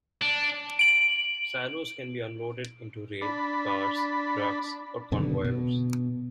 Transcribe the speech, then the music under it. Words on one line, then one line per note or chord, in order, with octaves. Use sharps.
Silos can be unloaded into rail cars, trucks or conveyors.
D4
D7 F#7
D4 B5
F#2 B2 D3 D#3
B2